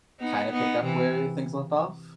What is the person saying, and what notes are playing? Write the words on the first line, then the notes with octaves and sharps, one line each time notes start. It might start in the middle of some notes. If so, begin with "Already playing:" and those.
kinda picked up where things left off?
B3 D#4
B3 D#4
C3 E3